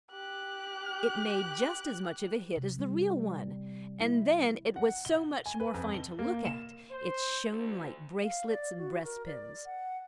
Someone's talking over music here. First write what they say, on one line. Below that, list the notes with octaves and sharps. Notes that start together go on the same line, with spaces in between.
It made just as much of a hit as the real one, and then it was so much more fine to look at--it shone like bracelets and breastpins.
G4 F#6
C3
G3
E4
F#5
G7
G#5
B4
F2
G7
A#3
E7
C5
D2
F5
D5
F#4
A#4
D5
F#5